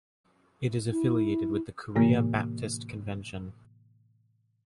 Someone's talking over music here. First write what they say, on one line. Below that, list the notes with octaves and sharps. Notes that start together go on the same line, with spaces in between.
It is affiliated with the Korea Baptist Convention.
E4
A2 C3 E3 A#3